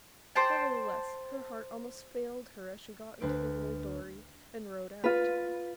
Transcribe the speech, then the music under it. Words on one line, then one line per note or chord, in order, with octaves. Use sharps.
Nevertheless, her heart almost failed her as she got into the little dory and rowed out.
C5 D5 G5 A5
D2 B4 C5 D7
F4 B4